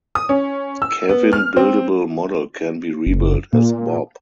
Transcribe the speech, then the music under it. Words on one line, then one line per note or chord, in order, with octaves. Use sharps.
Kevin buildable model can be rebuilt as Bob.
D#6
C#4
E6
B3
F6
C4
F#1
A#2